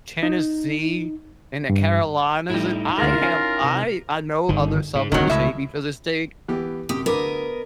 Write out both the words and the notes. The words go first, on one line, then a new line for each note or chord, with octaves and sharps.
Tennessee and the Carolinas. I have I I know other Southerners hate me for this take,
D#4
G2
A2 G3 D#4 E4
D2 G#3 F4 A#4
C#4
C3
G1 D#3
G#2
D1 B1 D#3 F#3
C#2 A2 E5
E3 B3 G4
F#2 C3 G4 D#6
D2 D3 B3 A#4 D#5 D6